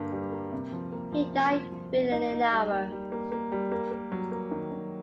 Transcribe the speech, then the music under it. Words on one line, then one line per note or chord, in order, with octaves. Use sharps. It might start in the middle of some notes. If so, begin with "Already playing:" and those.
He died within an hour.
Already playing: G2 D3 G3 A#3
G3
A#3
C3
F3
A#3
F3
C3
F3
F3
C3
D#4
D#4
G3
A#3
G3
A#3
A#3
G3
A#3
A#3
F#3
A#3
D#3
D#3